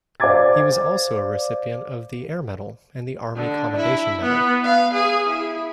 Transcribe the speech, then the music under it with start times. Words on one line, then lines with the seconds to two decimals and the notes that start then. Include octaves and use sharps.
He was also a recipient of the Air Medal and the Army Commendation Medal.
0.20 C5 D5 F5 D6 G#6 A6
3.35 D3
3.76 E4
4.21 B3
4.64 F5
4.93 G#4
5.29 E4